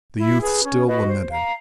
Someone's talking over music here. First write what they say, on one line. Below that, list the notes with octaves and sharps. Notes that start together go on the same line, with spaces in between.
The youth still lamented.
E4
G#4 B4
C#4
F#4 B4 D#5
C5
F5 A#5